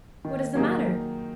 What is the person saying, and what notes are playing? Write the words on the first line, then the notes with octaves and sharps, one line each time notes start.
"What is the matter?"
D#3
F#3 A#3 D#4 G#4